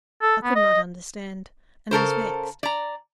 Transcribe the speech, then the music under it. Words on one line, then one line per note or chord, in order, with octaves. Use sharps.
I could not understand, and was vexed.
A4
B3
D#5
C#3 A4 A#4 C5
D5 A#5